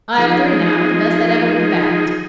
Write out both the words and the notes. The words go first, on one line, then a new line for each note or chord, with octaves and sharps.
I have three now, the best that ever were backed.
F3 D#4 G#4